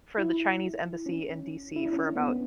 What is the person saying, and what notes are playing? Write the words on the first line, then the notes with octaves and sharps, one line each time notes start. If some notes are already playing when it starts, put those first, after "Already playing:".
for the Chinese embassy in DC for about
E4
C#4
E4
D4
C#4
B3
B3